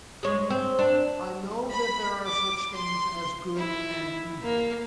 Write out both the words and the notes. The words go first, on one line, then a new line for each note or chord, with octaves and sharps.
I know that there are such things as good and evil.
G#3 C#5
C4
D4
B5
D6
C6
E4
A#3